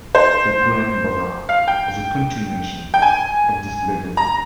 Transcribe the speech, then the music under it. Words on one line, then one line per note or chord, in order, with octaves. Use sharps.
The Grand bazaar is a continuation of this legacy.
C5
F5
G5
G5
G#5
A#5